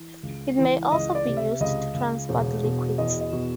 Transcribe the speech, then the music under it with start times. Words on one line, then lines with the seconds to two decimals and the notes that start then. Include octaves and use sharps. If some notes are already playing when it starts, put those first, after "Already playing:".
It may also be used to transport liquids.
Already playing: E3
0.23 C#2
0.58 E3
0.92 C#2 D#5
1.15 D5
1.25 C3
1.37 E5
1.60 C#2 D#5
1.94 C#2
2.29 E1
2.63 B2
2.98 E2 D#5
3.21 D#5
3.32 B2